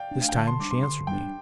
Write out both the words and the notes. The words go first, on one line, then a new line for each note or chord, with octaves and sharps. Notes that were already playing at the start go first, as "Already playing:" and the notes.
This time she answered me.
Already playing: D5 F5 G5
A3 D4
F5
G5
D3 A5
C6
G3 D4 D6
C6
D3 C6
G3 D4 G5